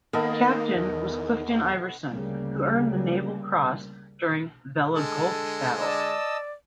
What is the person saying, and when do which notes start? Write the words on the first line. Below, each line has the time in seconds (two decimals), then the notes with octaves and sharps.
Captain was Clifton Iverson, who earned the Naval Cross during Vella Gulf battle.
0.13 D#3 A#3 B3 A4 D#5
0.76 E2
2.12 D2 C#3 G3 A#3
4.94 D3 G#3 A4
5.81 D5 D#5 A5 E6